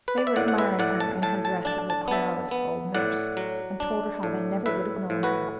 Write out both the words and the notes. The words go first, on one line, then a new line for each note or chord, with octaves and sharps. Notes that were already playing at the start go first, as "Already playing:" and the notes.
They were admiring her, in her dress of the querulous old nurse, and told her how they never would have known her.
B4
D5
E5
A2 D5 F#5
F#5
B4 E5
A2 D5 F#5
A5
A2 A5
A5
D4 A5
A5
B3 E5 A5
B3
A2 D5 F#5
F#3
D4
A2
A2 B4 E5
A2
F#4 B4